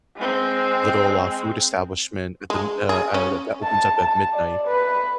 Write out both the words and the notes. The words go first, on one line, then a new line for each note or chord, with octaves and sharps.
little, uh, food establishment at the m uh uh, that that opens up at midnight,
G#3 C4
G#3
G#4
C#4
A5
A5
D5
B4